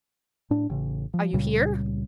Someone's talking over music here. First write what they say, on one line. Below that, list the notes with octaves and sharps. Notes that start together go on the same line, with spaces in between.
"Are you here?"
A2 D4
A1 C#3
F3
C#2 A#2 C#3 G3